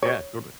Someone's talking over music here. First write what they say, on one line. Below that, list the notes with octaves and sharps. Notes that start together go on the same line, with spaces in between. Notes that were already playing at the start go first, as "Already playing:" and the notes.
Yeah, totally.
C#5